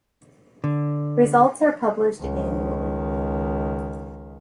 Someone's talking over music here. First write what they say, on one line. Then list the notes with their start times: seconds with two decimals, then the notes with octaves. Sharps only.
Results are published annually.
0.64 D3
2.18 C#2 D#3